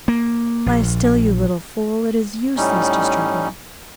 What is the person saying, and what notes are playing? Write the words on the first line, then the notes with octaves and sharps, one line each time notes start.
Lie still, you little fool, it is useless to struggle.
A#3
A#1
A2 G3 C#4 D#4